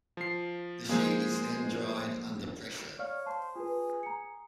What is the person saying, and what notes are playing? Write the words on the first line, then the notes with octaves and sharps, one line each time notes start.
The sheet is then dried under pressure.
F3 C7
F3 G#3 A#3 G#4 C5
C#5 D5 F5 F6
C5 A5
F4 G#4 B4
A#5 C#7